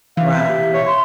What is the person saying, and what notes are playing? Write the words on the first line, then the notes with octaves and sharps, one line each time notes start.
Right, right.
E3 E5 F5
G4
C#5
C6